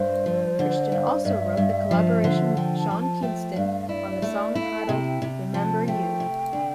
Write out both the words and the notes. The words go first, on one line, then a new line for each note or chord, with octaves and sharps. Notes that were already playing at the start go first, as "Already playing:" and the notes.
Cristian also wrote the collaboration with Sean Kingston on the song titled "Remember You".
Already playing: G2 C5
F3
D3
G2
G2 E5
G2
F3
D3
F3 G5
A5
F3
A5
A3 G5
G2 F5
E4 D5
D5
A3
D5
E4 E5
F5
E5
A5
C3 G5
C3
F3 A5
A3 G5
C3
D3